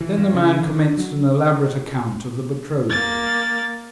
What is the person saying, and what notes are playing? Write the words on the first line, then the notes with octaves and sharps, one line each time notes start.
Then the man commenced an elaborate account of the betrothals.
E3
G2
C#3
D3
F#3
A#3 A6